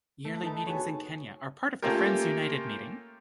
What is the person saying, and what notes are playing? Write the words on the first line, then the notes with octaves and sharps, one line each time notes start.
Yearly meetings in Kenya are part of the Friends United Meeting.
A3
D#4 B4 A5
B3 F#4 G#4 C#5
A3 A#3 C#4 F4 G4 A#4